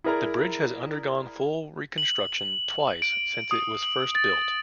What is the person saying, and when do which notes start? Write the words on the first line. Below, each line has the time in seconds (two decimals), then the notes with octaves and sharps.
The bridge has undergone full reconstruction twice since it was first built.
0.04 E4 G#4 A#4 D5 A#5
1.98 F#7
3.02 D7
3.51 D#6
3.83 F#7
4.15 A6